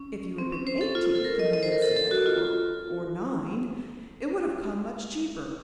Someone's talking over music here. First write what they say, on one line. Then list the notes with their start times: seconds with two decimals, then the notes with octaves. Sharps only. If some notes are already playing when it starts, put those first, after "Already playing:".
If you had been eighteen, the man said, or--or nine, it would have come much cheaper.
Already playing: C#4
0.38 C4
0.52 C#4
0.67 C5
0.81 A4
0.95 F4
1.06 F4
1.15 A4
1.24 A#4
1.39 D#5
1.53 D#5
1.63 C5
1.72 A#4
1.82 A4
1.97 A4
2.11 F#4
2.26 F4